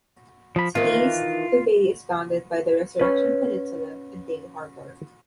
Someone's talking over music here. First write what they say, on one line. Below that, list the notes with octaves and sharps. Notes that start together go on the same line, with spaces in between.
To the east, the bay is bounded by the Resurrection Peninsula and Day Harbor.
F3 B5
D#3 E3 F4
C#4 B4